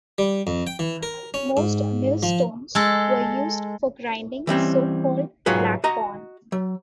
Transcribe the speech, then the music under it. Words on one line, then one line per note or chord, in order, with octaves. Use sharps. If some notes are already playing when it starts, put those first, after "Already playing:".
Most millstones were used for grinding so called "black corn".
G3
F2
G5
E3
A#4
C#4
G#2
F3
G#3 A4
E3 G3 C4 C#4
B1 G#2 F#3 F4 G#4 B4
F#4 D#5 A#5
F#3